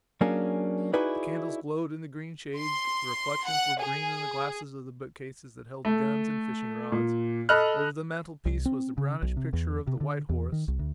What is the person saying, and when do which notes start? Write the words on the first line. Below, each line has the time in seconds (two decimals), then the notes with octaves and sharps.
The candles glowed in the green shades; the reflections were green in the glasses of the book-cases that held guns and fishing-rods. Over the mantelpiece was the brownish picture of the white horse.
0.21 F#3 A#3 C#4 D4 G#4
0.93 D#4 E4 F#4 G#4 B4 D5
2.57 C6
3.44 F#5
3.80 G#4
5.85 A3
6.92 A#2
7.49 A4 D#5 B5 F6 F#6
8.45 C2
8.65 C4
8.98 C#3
9.22 B1
9.37 C3
9.53 E2
9.87 C3
10.01 D3
10.29 E2
10.52 D#3
10.68 C2
10.79 D2